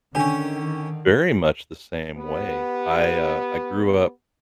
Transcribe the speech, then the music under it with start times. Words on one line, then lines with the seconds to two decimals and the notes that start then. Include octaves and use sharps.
very much the same way. I, uh, I grew up
0.15 D3 D#3 C#4 G4 G#5
2.18 B3 G4